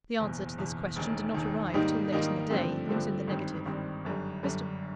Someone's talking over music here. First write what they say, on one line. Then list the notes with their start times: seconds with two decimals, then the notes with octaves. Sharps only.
The answer to this question did not arrive till late in the day; and was in the negative--Mr.
0.19 F#1 E2 B2
0.58 F#1 E2 B2
0.96 E1 D#2 D#3
1.34 E1 D#2 D#3
1.74 G#2 D#3 G3 A#3 D#4
2.12 G#2 D#3 G3 A#3 D#4
2.51 G2 D3 F3 A3 C4
2.89 G2 D3 F3 A3 C4
3.27 G#1 G2 D#3 G3 C4
3.65 G#1 G2 D#3 G3 C4
4.05 G1 F#2 D3 G3
4.43 G1 F#2 D3 G3